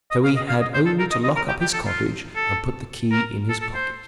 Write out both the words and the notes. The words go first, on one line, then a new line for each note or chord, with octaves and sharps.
So he had only to lock up his cottage and put the key in his pocket.
D#5
F5
D#5
F5
D#5
C5
A4
A#4
D#5
D#5
A#4
G4
G4
A4
F4
A4
A#4
A4
A4
C5